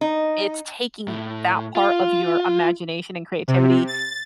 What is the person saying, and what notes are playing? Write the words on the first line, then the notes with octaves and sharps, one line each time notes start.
it's taking that part of your imagination and creativity
D#4
A2
F4
C3
A6